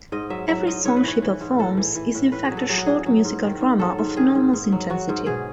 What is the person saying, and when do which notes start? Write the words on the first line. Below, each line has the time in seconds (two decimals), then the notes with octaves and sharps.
Every song she performs is in fact a short musical drama of enormous intensity.
0.12 G#2 D#5
0.30 F#3 E5
0.48 F#3 E5
0.67 G#2 D#5
0.85 G#2 C#5
0.97 B4
1.03 E3 C#5
1.22 E3
1.41 G#2
1.59 A2 A4
1.77 E3
1.95 E3
2.14 A2
2.32 A2 B4
2.45 G#4
2.51 F#3
2.57 A4
2.69 F#3 G#4
2.78 F#4
2.86 A2 G#4
3.06 F#3
3.25 G#2
3.43 D#3
3.61 G#2
3.79 F#3 A4
3.98 G#2
4.16 D#3 G#4
4.35 G#2
4.53 G#2
4.72 F#3
4.90 F#3 F#4
5.09 G#2
5.26 B2 G#4